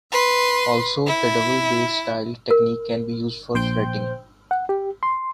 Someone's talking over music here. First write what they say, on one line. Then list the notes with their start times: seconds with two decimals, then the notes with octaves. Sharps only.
Also, the double bass-style technique can be used for fretting.
0.12 B4 C6
1.07 E4
2.51 A#4
3.54 A#1 C5 G5 G6
4.51 F#5
4.69 G4
5.03 C6